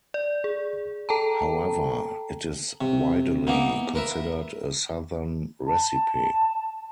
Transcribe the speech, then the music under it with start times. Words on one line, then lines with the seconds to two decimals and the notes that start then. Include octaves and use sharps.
However, it is widely considered a Southern recipe.
0.14 D5
0.44 G#4
1.09 A4 G5 A5 A#5
2.81 C3
3.47 E3 A#3 B3 D#4
3.95 A#4 B4 E5
5.66 A5